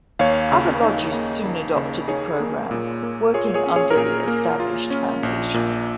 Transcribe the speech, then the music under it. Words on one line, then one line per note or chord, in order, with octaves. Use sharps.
Other lodges soon adopted the program, working under the established foundation.
D#2 C#5 F5
C#3
D#4
A#3
D#2
C#3
D#4 G#4 C#5
A#3
A#2
A#3
F4 G#4 C#5
G#4 C#5
C#4
G#4 C#5
A#4
A#2 G#4
A#3
F4
C#4
A#1
A#2